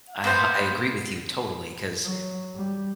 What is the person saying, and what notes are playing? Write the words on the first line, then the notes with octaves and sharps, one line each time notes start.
I h I agree with you totally 'cause,
A#3 B3 C5
F#3
G3